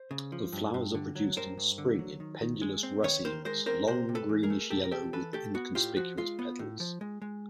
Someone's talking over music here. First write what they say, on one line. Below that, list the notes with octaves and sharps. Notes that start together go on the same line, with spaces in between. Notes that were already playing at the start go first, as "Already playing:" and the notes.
The flowers are produced in spring in pendulous racemes long, greenish-yellow with inconspicuous petals.
Already playing: C5
C#3
F3
G2
G2
D3
F#3
G2 A#4 C5
G2
D3
F#3
D#3
D#3
G#3
C4
D#3 B4 C#5
D#3 A#4 C5
G#3 A#4 C5
C4 A#4 C5
C3 A#4 C5
C3
A4 B4
E3
G#4 A#4
A3
C3 G4 A4
A#4
C3 G4 A4
E3 A4 B4
A3 G4 A4
B3 F#4
A2 F4 G4
F3 F#4
G#3 F4
B3
A2
F3
G#3
G#3